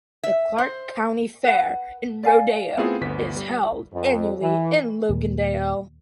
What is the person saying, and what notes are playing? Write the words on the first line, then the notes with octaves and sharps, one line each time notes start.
The Clark County Fair and Rodeo is held annually in Logandale.
E5
C5
B4 F#5
D5 F5 G#5
A3 B3 C4 E4 F4 G#4
G1 D2 B3 B6
G3
F2
E3
D#2 A#2